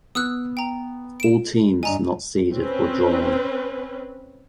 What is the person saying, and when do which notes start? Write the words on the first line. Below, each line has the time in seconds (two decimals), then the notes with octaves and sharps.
All teams not seeded were drawn.
0.15 B3 D#6 E6 F#6
0.57 G5 A#5
1.20 D7 E7
1.83 G2 D#5 G#5 A#5
2.53 C4 C#4 B4